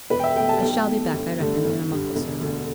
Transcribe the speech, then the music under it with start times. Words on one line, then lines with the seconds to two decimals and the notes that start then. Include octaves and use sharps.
I shall be back, I reckon, in a month or so.'
0.10 E1 B4
0.19 G5
0.24 E5
0.36 E2 B2 A3 G5
0.49 A5
0.62 B1 G5
0.87 B2 A3
1.13 G1
1.38 G2 D3 A3
1.64 G1
1.90 G2 D3
2.16 E1
2.41 D2 D3